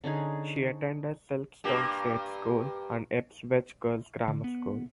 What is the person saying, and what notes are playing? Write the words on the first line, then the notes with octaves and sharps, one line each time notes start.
She attended Silkstone State School and Ipswich Girls Grammar School.
D3 C#4 D#4 G#4
G2 A#3 G4
D3
B3